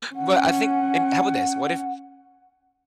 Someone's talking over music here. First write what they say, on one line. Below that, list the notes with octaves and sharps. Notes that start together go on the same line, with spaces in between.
But I think and how about this? What if
C#4 F#5